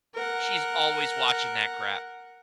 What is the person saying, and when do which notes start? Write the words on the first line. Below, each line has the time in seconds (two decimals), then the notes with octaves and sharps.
she's always watching that crap.
0.14 A#4 F#5